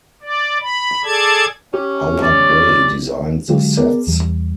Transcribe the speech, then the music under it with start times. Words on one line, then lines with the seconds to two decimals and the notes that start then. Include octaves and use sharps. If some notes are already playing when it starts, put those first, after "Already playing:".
Howard Bay designed the sets.
0.22 D5
0.61 B5
1.04 G#4 A4 D5 A5 G#6
1.74 C#4 G4
2.22 D5
3.48 D3 F#3 G#3 F4 G4
3.77 B3 G#4 A#4 D5
4.07 E2 G3